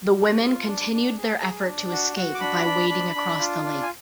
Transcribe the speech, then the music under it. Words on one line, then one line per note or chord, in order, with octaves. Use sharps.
The women continued their effort to escape by wading across the lake.
D4
F4
D4
D4
G#4
G#4
D4
F#4
F#4
D6
D4 B5
D4
D4
D4
F4
D4
G#5